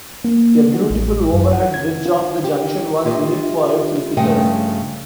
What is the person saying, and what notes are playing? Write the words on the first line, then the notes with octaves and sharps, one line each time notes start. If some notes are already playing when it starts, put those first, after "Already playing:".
A beautiful overhead bridge of the junction was unique for its visitors.
A#3
F#4
A1
F#2
F#5
G#6
F4
G4
E4 F4 G4 B4 D#5 E5
G2 C#3 F3 A3 D#5 G5